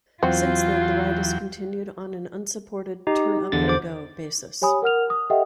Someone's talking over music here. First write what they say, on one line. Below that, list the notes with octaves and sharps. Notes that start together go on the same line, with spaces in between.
Since then the ride has continued on an unsupported 'turn up and go' basis.
E2 F#3 C4 F4 F#4 G5
D#4 G4
E2 D3 A6
C5 D6
G4 C#5 G#5 B5 D#6
A#4 F#5 F6 F7
D#6
G4 A4 D#5 E5 F#5 G5